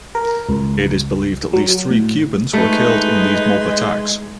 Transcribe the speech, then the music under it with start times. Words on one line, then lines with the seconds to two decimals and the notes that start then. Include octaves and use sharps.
It is believed at least three Cubans were killed in these mob attacks.
0.15 A#4
0.49 C#2
1.53 F#3
1.90 A2
2.53 G#3 A3 D#4 B4